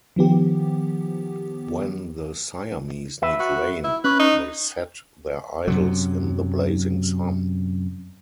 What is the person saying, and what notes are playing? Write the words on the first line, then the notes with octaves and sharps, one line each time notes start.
When the Siamese need rain, they set their idols in the blazing sun.
D#3 F3 B3 G4
B4 E5
F#4
E4
C#4 B4
D#4
F#2 C3 F#3